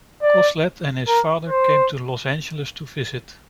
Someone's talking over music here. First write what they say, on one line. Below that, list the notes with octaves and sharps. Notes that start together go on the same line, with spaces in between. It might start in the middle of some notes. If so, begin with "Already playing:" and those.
Coslet and his father came to Los Angeles to visit.
D5
A#4
C5